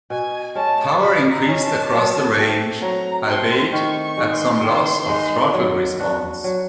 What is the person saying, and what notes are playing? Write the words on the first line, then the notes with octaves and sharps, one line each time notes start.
Power increased across the range, albeit at some loss of throttle response.
B2 G#5
G#3 C#4 A5
B2 B5
A#5
G#3 C#4
A5
F#3
A3 C4
F#3 A#5
A3 C4 C6
D#3 C#6
C#6
G#3 B3 D#4
C6
D#3
G#3 B3 D#4
F#3
B3 D4 F#4
F#3